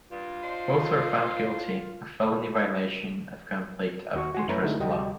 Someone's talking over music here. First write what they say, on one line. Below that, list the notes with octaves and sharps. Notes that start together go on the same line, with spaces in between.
Both were found guilty of felony violation of conflict of interest law.
G2 F4
D4 D#4 C5
D#2 F#4 C#6
F#4 G#5 C6
F#2 A3 E4 B4 C#5 A#5
D3 F#3 G#3 A3 D#4 E4
D2 C3 G3 F#4 D#5 G5